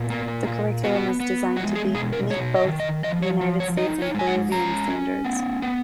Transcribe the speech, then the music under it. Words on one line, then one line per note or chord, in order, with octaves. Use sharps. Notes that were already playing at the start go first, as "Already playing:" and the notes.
The curriculum is designed to meet both United States and Peruvian standards.
Already playing: A#2 B3
A#3
A#2
B3 F#4
B3
G#3 F#4
G#4
B2 G#4
A#4
F#3 C#5
D#5
D#3
D#5
F3 D#5
C#5
F3
C#5
D#4 D#5
C#5
G#3 G#5
F#5
C#4 A#5
C#4
B3
B3